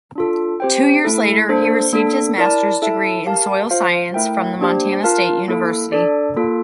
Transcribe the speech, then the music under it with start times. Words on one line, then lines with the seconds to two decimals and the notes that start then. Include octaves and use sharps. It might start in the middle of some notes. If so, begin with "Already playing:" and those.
Two years later he received his master's degree in soil science from the Montana State University.
0.15 D4 F4 A4
0.60 C4 G4 C5 G5
1.04 A3 E4 A4
1.49 A#3 D4 A4 C5
1.93 A#3 D4 A4
2.38 E4 A#4 D5 A5
2.82 E4 A4 E5 A5
3.26 G4 A#4 F5 A5
3.71 F4 C5 F5
4.14 A3 E4 A#4 E5 G5
4.59 A#3 D4 G4 C5
5.04 F4 A#4 F5 A5
5.48 A#3 E4 A4
5.92 D4 A4 D5
6.36 A#3 F4 A4